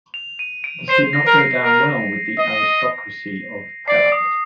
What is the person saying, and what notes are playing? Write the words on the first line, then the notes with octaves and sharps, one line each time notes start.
This did not go down well with the aristocracy of Perak.
F7
D#7
D7
C5 C7
A#6
A#4
C7
A#4 A#6
D#5
D5 C7
D#6